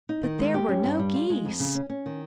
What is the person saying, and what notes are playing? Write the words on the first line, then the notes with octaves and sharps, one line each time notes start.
But there were no geese!
D#4
D#3
G#3
G4
C#4
G2
G3
F4
G#3
F2
C#3
C#4
C#4
D#3